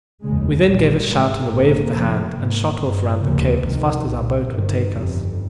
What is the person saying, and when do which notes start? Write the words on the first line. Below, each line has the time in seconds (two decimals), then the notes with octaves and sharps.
We then gave a shout and a wave of the hand, and shot off round the cape as fast as our boat would take us.
0.23 F1 D#2 C#3 G#3
0.66 A#1 A#2 G3
1.08 G#1 G#2 G#3
1.50 A#1 G#2 A#3
1.93 F1 F2 C3 A#3
2.36 G#1 G#2
2.79 G1 G2
3.20 F1 D#2 C#3 F3
3.63 C#2 C3 D#3
4.06 C2 A#2
4.47 G1 G2 D#3
4.91 G1 F2 C3